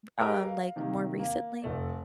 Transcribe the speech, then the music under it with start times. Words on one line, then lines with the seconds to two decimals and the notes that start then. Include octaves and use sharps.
r um, like, more recently?
0.20 G4 G#4 A#4 B4 C#5 D#5
0.45 F5
0.76 C3 D#3 A#3
1.19 A#3
1.62 F1 A3 D5